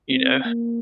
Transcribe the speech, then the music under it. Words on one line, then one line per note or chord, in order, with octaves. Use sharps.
you know?
C4
A#3